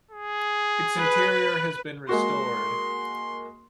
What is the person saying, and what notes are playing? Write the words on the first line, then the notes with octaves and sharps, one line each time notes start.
Its interior has been restored.
G#4
B4
G#3 A#3 F#4 C6